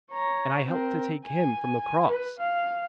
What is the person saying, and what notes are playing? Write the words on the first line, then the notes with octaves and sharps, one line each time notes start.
And I helped to take Him from the cross.
C#5 A#5
C4 A#4
G#5
B4
F5